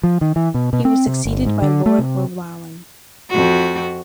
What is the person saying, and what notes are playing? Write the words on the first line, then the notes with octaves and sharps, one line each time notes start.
He was succeeded by Lord Rowallan.
F3
D#3
E3
B2
B2
C4
C3
G1
G#2
D3
A3
C3
F2 F#4